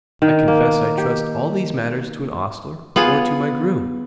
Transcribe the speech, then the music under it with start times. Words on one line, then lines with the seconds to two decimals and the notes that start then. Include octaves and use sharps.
"I confess I trust all these matters to an ostler, or to my groom."
0.22 D#3
0.48 A#3
0.98 G4
2.96 B3 F4 G#4